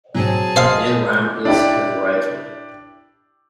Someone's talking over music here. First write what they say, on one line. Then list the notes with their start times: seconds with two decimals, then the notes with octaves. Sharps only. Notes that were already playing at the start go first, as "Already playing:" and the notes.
Neil Grahn is head writer.
0.15 G#2 B2 F#3 C4 G#4 A5
0.56 C5 D#5 F5 C6 D#6
1.45 D4 E4 G4 D5